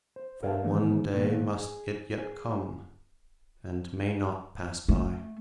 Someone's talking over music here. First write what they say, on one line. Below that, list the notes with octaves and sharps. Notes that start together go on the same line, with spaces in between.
For one day must it yet come, and may not pass by.
C5
A4 A#4 C#5 D5 E5 F5
D#3 E3 A3 B3
A#2 D#3 A3 B3
G#4
G#4
A3